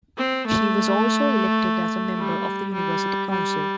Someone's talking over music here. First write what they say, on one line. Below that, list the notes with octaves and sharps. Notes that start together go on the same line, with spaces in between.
She was also elected as a member of the University Council.
C4
A3
G3
G3
G3